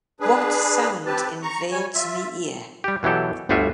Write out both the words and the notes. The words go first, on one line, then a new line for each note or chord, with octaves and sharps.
What sound invades me ear?
D4 G#4 B4
C4 G4 B4 A5
A#5 C#6
G3 C#5 G#5
F4 E5
G3 G4
B2 E3 F#3 G4 A4
G1 D2 G3 F4 F#4 E5